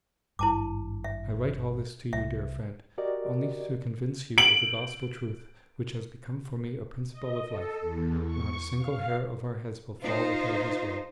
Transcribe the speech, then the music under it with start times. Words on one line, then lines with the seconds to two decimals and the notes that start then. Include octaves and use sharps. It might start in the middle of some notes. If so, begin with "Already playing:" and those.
I write all this to you, dear friend, only to convince you of the Gospel truth which has become for me a principle of life: not a single hair of our heads will fall without His will.
0.39 G#1 G2 E4 A5 D6
1.04 E5
2.13 C2 E5
2.98 F#4 G4 A#4 D5 D#5
4.38 D7 F#7
7.12 D#5
7.47 A4
7.80 E2
8.24 C#6
8.78 F5
10.03 D#4 F4 C5